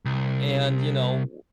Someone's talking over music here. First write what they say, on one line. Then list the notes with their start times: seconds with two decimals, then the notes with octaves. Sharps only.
and, you know,
0.05 C2